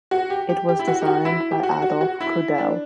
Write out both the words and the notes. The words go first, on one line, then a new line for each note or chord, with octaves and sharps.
It was designed by Adolph Cudell.
F#4
G4
G4
G4
E4
F#4
G4
F#4
E4
G4
F#4
F#4
F#4
E4
D4